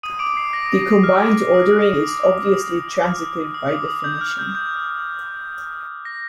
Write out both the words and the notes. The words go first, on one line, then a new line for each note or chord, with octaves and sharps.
The combined ordering is obviously transitive by definition.
D#6 D#7
D6 D7
C7
A#6
F6
D#6
D#6
D6
D#6
F6
D#6
D6
D#6
G6
F6
G6
G6
A#6